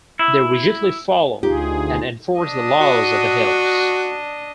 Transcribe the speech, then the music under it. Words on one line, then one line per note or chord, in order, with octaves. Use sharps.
They rigidly follow and enforce the laws of the Hells.
E4
D2 D#4 F4 G4 G#4
D4 D#5
F#4